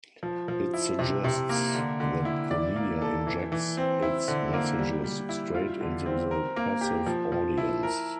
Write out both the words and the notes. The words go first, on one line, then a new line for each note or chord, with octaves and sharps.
It suggests that the media injects its messages straight into the passive audience.
F3
F3
E4
C3
C3
A#3
D3
D3
E4
D5
A#3
A4
E3
E3
C4
E4
D3
A#3
G3
G3
E4
F4
D3
C4
A#4
A#3
G4
F3
F3
E4
A#4